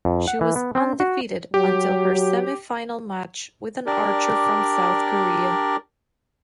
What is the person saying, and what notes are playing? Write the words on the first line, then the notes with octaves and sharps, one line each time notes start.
She was undefeated until her semifinal match with an archer from South Korea.
F2
F#5
E3
B3
C4
F#4
F#3 G4
D4 G4 A#4 D5